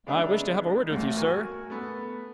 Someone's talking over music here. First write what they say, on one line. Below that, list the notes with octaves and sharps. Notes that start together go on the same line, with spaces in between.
"I wish to have a word with you, sir."
C#3 G#3 B3 D4 D#4 E5
A1 E2 A2
F#4 A#4 G#5 C#6
A3 B3